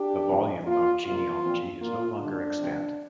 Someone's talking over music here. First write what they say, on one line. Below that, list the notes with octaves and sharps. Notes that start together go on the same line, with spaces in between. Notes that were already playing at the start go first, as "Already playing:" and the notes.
The volume of genealogy is no longer extant.
Already playing: D4 G4
C3 F3 C4
A#2 A#3 F4
C3 G3 A#3 F4
A#2 F3 C4
A#2 A#3 F4
D3 G3 A#3 D4
C3 F3 C4